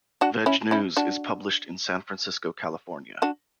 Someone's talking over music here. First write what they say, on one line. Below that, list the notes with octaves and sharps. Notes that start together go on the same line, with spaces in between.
"VegNews" is published in San Francisco, California.
D4 F#4
C#4 E4
C#4 E4
D4 F#4
D4 F#4